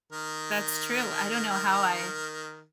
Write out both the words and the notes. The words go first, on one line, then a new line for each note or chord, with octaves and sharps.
That's true, I don't know how I
D#3 A#4